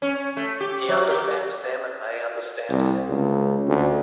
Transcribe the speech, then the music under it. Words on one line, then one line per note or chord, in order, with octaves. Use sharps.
He understands them and they understand him.
C#4
A3
G4
F#3
G4
C2
C#2
D2